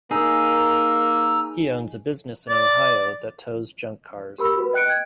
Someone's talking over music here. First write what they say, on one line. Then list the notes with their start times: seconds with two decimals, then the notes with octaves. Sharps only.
He owns a business in Ohio that tows junk cars.
0.11 A#3 D#4 G#4 A#5 E6
2.49 D5
4.38 G4 A#4 B5 E6
4.56 F#4 B4
4.73 D#5 G5 F#6 C#7 D7
4.90 G#6